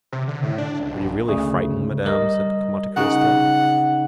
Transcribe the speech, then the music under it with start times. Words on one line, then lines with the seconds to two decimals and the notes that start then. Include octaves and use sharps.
"Are you really frightened, madame?" said Monte Cristo.
0.12 C3
0.28 D3
0.43 A2
0.58 D4
0.80 C#2
0.94 A#1
1.28 D2 C#3
2.05 G3 A#4 D#5
2.97 C#3 D#4 F#5